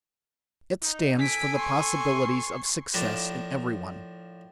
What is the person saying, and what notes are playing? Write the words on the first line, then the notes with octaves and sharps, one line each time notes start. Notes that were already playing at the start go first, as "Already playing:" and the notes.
It stands for the possibilities of success in every one.
D#4
A4 G#5 B6 D7
C6 C#6
A2 F3 A#3 D4